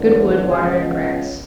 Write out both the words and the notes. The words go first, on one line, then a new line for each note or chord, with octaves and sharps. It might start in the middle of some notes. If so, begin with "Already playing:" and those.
Good wood, water, and grass.
Already playing: F#1 E2 D3
C#2 B2 G#4